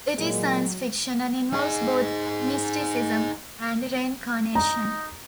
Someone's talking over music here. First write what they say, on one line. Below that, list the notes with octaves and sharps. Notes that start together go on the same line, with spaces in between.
It is science fiction, and involves both mysticism and reincarnation.
A#2 F#3 G#3
D#4 G#4
D#4 A#5